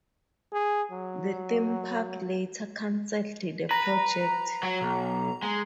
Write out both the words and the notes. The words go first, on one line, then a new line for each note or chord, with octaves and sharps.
The theme park later canceled the project.
G#4
F#3
B4 A#5
F#3
B1
G#3